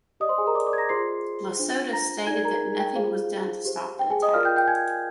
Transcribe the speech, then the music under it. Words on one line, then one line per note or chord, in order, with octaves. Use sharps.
Lasota stated that "nothing was done to stop the attack".
G4 D5 D#5 D#6
C5 C6
G#4 G#5
A#4 A#5
D5 D6
D5 D6
G#6
A#5 A#6
F4 G#4 C5 C6 C7
D4 F4 C5
A#5 A#6
D#4 G#4 D5 G#5 G#6
A#4 A#5
G5
F4 G#4 C5 F5
G4 C5
G5
G#4 G#5
D#5 D#6
F4 A#4 D5 F5 F6
G5 G6
G5 G6
G#5 G#6